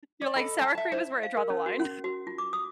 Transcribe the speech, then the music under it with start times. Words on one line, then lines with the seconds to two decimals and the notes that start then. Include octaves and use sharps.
You're, like, "Sour cream is where I draw the line."
0.22 D5
0.36 A4 D#5 B5
0.61 A5
0.75 E5 A5
0.92 E4 C5
1.23 F5
1.37 A#4
1.50 C#4
1.66 F#4
1.80 C#4
2.04 F#4
2.27 F4
2.38 D6
2.53 D#6